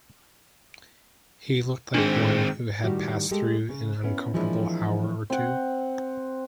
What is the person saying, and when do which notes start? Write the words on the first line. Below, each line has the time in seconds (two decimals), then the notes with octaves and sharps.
He looked like one who had passed through an uncomfortable hour or two.
1.94 G#2 D#3 C4 D4 G#4
2.84 A2 D#3 G3 F#4 G4
3.31 G#3 G4 A4
3.69 C#3
4.04 B3 C#4 E4
4.34 E3 F3 G#3 A#3 D4 E4
5.30 C4 F#5